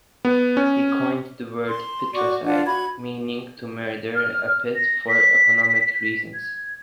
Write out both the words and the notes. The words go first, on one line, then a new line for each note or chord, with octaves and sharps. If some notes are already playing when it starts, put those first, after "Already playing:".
He coined the word "Pitracide", meaning "to murder a pit for economic reasons".
B3
C#4
C6
F#4 D5 C#6 D6
D4 F4 F#5
F#4 B5 G#6
F6
A#6
B6
G#6